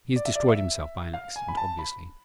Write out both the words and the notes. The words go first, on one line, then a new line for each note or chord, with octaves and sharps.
He has destroyed himself by an accident, obviously.
D5
E5
D5
E5
F5
G#5
B5
A5
B5